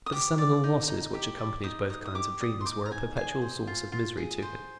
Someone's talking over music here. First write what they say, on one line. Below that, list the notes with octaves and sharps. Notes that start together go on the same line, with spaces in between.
But the seminal losses which accompanied both kinds of dreams were a perpetual source of misery to him.
D#6
G4 D6
D5
D#4
D#4
G4
D5
D#4 D#6
D#4 D#6
D#6
G4 D6
D5 D#6
C6
D#4 D6
A#5
D#4 G#5
G#4 G#5
C5
F4
F4
G#4
C5